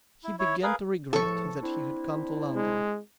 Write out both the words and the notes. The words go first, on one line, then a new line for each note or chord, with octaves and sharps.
He began to regret that he had come to London.
E4
E4 C#5
G#4 A#4 B4 F5
E2 A2 F3 A4 C#6
C4 D4 E4
G#3